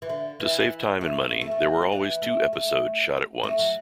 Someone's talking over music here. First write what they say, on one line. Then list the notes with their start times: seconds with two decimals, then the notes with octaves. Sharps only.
To save time and money, there were always two episodes shot at once.
0.02 E3
0.09 D3
0.40 E3
1.01 A3
1.31 B3
1.41 A3
1.51 A3
1.62 F#3
1.92 E3
2.22 A3
2.53 A3
3.43 A3
3.59 F#3